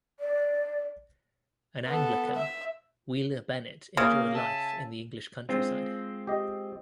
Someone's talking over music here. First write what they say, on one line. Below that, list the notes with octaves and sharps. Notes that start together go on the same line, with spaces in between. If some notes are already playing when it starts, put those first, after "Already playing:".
An Anglican, Wheeler-Bennett enjoyed life in the English countryside.
D5
B3 A4
E5
C#3 A#3
E5 G#5 A5
G#3 C4 F4
G4 D#5